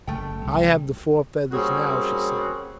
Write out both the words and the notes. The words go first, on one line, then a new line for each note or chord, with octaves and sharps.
"I have the four feathers now," she said.
F#1 A3 G5
C2 G3
G3 A#3 C4 C#4 F#4 G#4